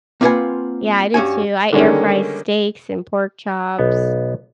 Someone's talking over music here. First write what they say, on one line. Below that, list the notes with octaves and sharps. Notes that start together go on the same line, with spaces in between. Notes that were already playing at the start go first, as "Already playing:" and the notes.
Yeah, I do too, I air fry steaks and pork chops.
A#3 C4 F4 B4 F#5 G#5
G2 C#4 F#4 G#5
D3 D#3 G3 G#3 A#3 C#4
B1 B3